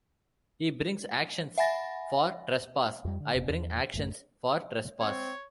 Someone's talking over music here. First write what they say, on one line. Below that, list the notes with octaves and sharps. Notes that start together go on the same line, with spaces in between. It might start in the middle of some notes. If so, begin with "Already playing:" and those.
He brings actions for trespass; I bring actions for trespass.
E5 F#5 G#5 B5 A6 A#6
F2 G3
D3
E1 C3
E2
A1 F#2 A3
C4 C#5